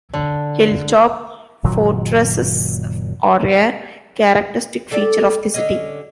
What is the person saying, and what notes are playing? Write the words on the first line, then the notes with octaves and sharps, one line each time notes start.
Hilltop fortresses are a characteristic feature of the city.
D3
F#1 A#2 D#3 F#3
G3 A4 D5
D3 C#4 D#5